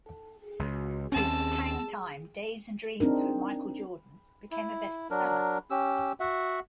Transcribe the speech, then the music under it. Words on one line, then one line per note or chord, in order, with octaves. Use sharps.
His "Hang Time: Days and Dreams with Michael Jordan" became a bestseller.
C#2
D#2 C4 C#4 A5 E6
C4 D4 D#4 A#4
E4
F#3 D4 A#4
C#4 G4 E6
F#4 E5 F#5